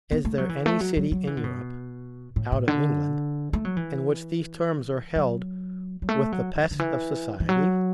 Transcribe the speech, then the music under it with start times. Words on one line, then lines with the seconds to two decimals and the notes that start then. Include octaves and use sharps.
Is there any city in Europe, out of England, in which these terms are held with the pests of Society?
0.11 B3
0.25 A3
0.38 F#3
0.49 E3
0.66 A3
0.81 F#3
0.97 F#3
1.12 F#3
1.27 E3
1.37 D3
1.44 B2
2.36 A2
2.52 A2
2.68 D3
3.53 A3
3.65 F#3
3.77 E3
5.16 F#3
6.02 F#3
6.09 A3
6.32 F#3
6.56 F#3
6.63 E3
6.71 D3
6.79 E3
7.40 E3
7.49 F#3